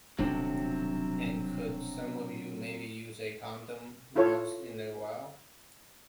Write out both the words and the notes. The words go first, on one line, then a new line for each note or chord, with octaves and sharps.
And could some of you maybe use a condom once in a while?
D#1 B1 C3 F#3 C4 D4 G5
E4 F4 A4 C#5